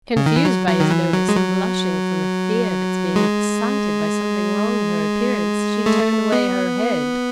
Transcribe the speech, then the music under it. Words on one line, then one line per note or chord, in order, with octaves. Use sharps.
Confused by his notice, and blushing from the fear of its being excited by something wrong in her appearance, she turned away her head.
C#3
D#3
E3
F#3
F#3
D#3
E3
F#3
G#3
F#3
G#3
A3
B3